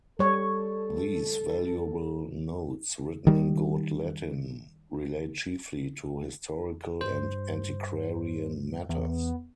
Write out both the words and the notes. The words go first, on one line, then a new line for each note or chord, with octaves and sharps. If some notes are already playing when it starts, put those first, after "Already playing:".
These valuable notes, written in good Latin, relate chiefly to historical and antiquarian matters.
G3 A4 C#5
D#3 G3
G2 C5
E2
B3